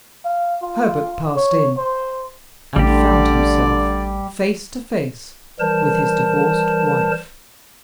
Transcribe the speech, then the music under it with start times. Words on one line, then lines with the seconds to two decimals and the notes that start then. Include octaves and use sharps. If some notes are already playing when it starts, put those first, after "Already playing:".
Herbert passed in--and found himself face to face with his divorced wife.
0.25 F5
0.62 F4
1.36 C#5
1.78 C5
2.76 A1 D3 G3 G4 D5
5.60 E3 G3 A#4 C5 A5